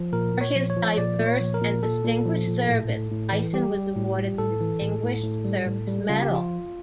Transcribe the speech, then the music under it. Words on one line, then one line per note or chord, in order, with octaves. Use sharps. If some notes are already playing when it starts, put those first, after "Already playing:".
For his diverse and distinguished service, Dyson was awarded the Distinguished Service Medal.
Already playing: F3
A#2 A#4
A#2
C#5
F3
C#5
F3
A#2 D5
A#2
C#5
F3
A#4
A#2
A#2 A4
A#2
F3
A#2
A2
A2
A2
E3
G3 G4
G3
A2
G3
A2 A4
E3
A2
A2
A2
G3
A2
G3
C#3 F4
G4
F3 F4